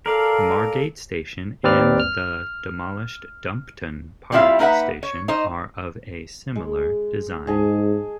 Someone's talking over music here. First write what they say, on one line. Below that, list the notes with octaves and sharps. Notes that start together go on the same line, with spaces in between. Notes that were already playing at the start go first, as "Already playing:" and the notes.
Margate station and the demolished Dumpton Park station are of a similar design.
A4 A#4 D5 F5
D#2 C4 B4 D5 F6
F6
G3 C4 E4 F4 E5 F5
A#3 D#4 B4 E5 F#5
C#5
D#4 C5 D#5
G#3
G#2 G#4 D#5 A5